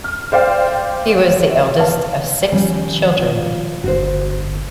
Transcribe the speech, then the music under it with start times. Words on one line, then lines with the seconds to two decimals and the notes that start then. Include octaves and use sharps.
He was the eldest of six children.
0.04 F6
0.32 C5 D5 F5 G5
1.50 E5
1.79 F5 A5
2.52 D#3 F3 G3 C#4
3.17 F4
3.84 G1 F#4 C5